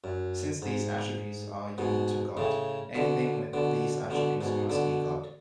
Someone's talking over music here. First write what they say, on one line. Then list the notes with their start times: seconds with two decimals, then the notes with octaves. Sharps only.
Since these attributes are unique to God, anything with these attributes must be God.
0.04 F#2
0.62 G#2
1.78 G#2 B2
2.37 A2 C#3
2.95 B2 D3
3.53 B2 D3
4.11 B2 D3
4.41 G#2 B2
4.70 B2 D3